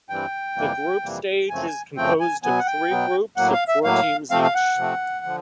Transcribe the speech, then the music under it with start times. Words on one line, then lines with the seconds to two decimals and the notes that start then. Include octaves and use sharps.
The group stage is composed of three groups of four teams each.
0.09 G2 E3 G3 C4 G5
0.56 F2 C3 E3 G3 A#3
1.03 F2 C3 E3 G3 A#3
1.50 F#2 C#3 F3 A3 C4 G#5
1.96 F#2 C#3 F3 A3 C4 G5
2.20 G#5
2.43 B2 F#3 B3 G#5
2.59 F#5
2.67 G5
2.90 B2 F#3 B3
3.37 A2 F#3 A#3 F#5
3.53 F5
3.68 E5
3.84 A2 F#3 A#3 F5
4.31 C3 F3 A3 C4 F5
4.44 F5
4.54 F#5
4.77 C3 F3 A3 C4
5.25 D3 F3